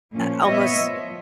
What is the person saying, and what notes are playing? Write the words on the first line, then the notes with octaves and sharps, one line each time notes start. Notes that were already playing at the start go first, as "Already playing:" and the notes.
uh, almost,
A#2 F3 C#4
B3 C#5 D#5 E5
F3